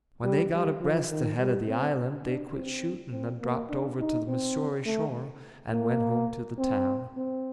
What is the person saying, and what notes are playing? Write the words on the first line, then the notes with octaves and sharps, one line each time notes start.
When they got abreast the head of the island they quit shooting and dropped over to the Missouri shore and went home to the town.
G3
G3
F3
D#3
G3
C4
D4
C4
C4
A#3
D4
D#4
C4
A3
A#3
C4
C4